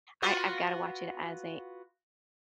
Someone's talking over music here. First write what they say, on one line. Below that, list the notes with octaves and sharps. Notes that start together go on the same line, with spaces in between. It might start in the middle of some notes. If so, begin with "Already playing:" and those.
I I've gotta watch it as a
B3 F4 F#4